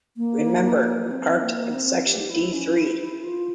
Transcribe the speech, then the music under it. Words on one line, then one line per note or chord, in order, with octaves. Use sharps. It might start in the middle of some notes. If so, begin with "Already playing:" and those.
Remember we parked in section D three.
A#3
C4
A#3
C4
G4
E4
C#4
E4
E4
F4